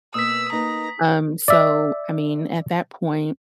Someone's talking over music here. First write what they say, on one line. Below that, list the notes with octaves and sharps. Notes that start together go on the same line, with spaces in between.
Um, so, I mean, at that point,
B2 A#3 B4 D#6 E6 B6
A#3 D#4 B4 A#5
D5 E5